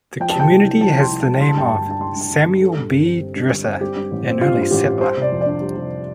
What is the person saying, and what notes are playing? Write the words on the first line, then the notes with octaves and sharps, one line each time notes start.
The community has the name of Samuel B. Dresser, an early settler.
F3 G5
A5
C3 G5
C2
C2
F3 A5
C3
C6
C2
A5
C2
G3 C6
A5
G2 G5
G1 A5
D4 A5
G3 C6
G2
A5
G1
D4
G3 A4
G2
G1
C4
G3
G2
G1
C4
G3 G4
G2
A1
C4
G3 F4
G2
F4
A1 G4
C4
G3 C5
C3 D5
F2
D5
D4
G3
C3